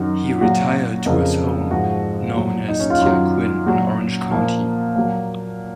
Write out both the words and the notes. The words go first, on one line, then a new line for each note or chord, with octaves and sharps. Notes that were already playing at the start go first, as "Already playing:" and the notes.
He retired to his home, known as Tyaquin, in Orange County.
Already playing: F#2 D#3 F#3 F#4
A#2 F#3 F#4
F2 C#3 F3 A#4
G#2 F3 F#4
A#2 F#3
D#4
C#4
F4
F#2 D#3 F#3 F4
A#2 F#3 F#4
A#2 F3 A#3
A#2 F#3 A#3